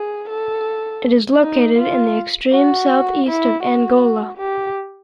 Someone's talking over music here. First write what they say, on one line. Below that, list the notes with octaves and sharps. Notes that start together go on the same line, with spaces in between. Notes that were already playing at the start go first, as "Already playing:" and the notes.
It is located in the extreme south-east of Angola.
Already playing: G#4
A4
D#4
F4
F#4
E4
F#4
G4